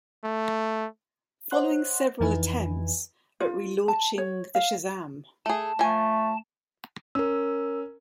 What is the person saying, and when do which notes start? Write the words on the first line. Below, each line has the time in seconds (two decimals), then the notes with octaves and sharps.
Following several attempts at relaunching the Shazam!
0.25 A3
1.51 C5 C#5 D#5 F#5 C6 F#6
2.20 F2 E3 D#4 E4 B4 G#5
3.40 F4
3.88 A5
4.18 C#5
4.55 F5
5.46 A3 G#4 A5
5.79 F3 A3 G#5
7.15 C#4 A#4 E6